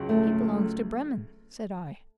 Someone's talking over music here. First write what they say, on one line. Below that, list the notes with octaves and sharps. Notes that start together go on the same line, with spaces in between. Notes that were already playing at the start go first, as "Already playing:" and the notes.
"He belongs to Bremen," said I.
Already playing: C#2 C#3 F#3
A3